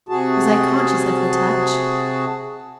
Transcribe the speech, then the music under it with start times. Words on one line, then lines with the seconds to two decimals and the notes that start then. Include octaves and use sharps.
Was I conscious of her touch?
0.09 C3 F#4 G#4 A5